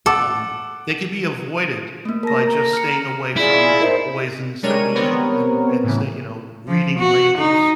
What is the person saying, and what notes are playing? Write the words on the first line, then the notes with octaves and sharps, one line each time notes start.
um they could be avoided by just staying away from the poisons that we eat and and stay you know, reading labels
A4 F#5 D6
A3 A#3
A#4 A5 A#6
A#5
F6 C#7
E4 F4 G#4 D5
D#4 A#4 C5 D#5 E5
G3 G#3 D4 A#4 C#5 D#7
G3 B3 C4 A#4 C#5
A2 C#3 E3
F3
F#4
D#4